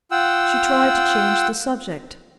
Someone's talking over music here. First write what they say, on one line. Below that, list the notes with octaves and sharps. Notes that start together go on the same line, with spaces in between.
She tried to change the subject.
F4 F#5 G5 E6